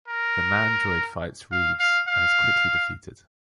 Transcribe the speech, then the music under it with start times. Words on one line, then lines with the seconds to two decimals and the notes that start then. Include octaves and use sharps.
The Mandroid fights Reeves and is quickly defeated.
0.08 A#4
1.52 F5
1.80 F5
2.08 F5